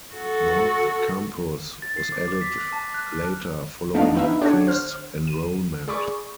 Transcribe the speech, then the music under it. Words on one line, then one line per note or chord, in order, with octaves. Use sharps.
North Campus was added later following increased enrollment.
F#4 A4
A6
C7
D6
D6
B6
F#6
A5
F#6
F6
A3 B3 D4 D#4 D#5 F5
D#4 E4 B4 E5 F5
D4 G4 A4 C#5 F#5
C5 F6
D#7
G#4 D5 B5 C#6 D6